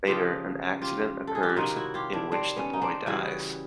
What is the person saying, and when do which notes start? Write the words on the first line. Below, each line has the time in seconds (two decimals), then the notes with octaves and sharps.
Later, an accident occurs in which the boy dies.
0.07 C#3 F3 F4 G4
0.82 F4 G4
1.27 A4
1.35 G#4
1.43 G4
1.49 F#4
1.56 C3 D#3 F#3 D#4 F4
1.76 E4 F#4
1.94 F4 G4
2.13 D4 E4
2.32 C4 D4
2.56 B3 C#4
2.73 D#4
2.82 C4 D4
3.06 C#3 E3 G3 E4 F#4